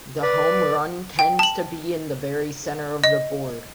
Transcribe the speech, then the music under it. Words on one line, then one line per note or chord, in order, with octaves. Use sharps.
The home run tends to be in the very center of the board.
B4 D5
G5
A5 F#7
D#5